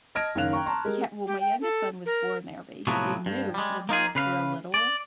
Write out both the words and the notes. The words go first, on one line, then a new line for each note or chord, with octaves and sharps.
yeah well, my youngest son was born there, but h we moved when he was real little.
D#5 A5 F6 G#6 A#6 D7
F#1 D#3 C#4 F5 F#6 F7
G5 A#5 C#6
A5 A#5 C6 C#6
G#3 G4 A#4
G4
G5
A4
A#4
A2 C3 F3 F#3 B3
G2
G3 G#3
A#3 D#4 F4 G#4
C#3 B4 F5
D5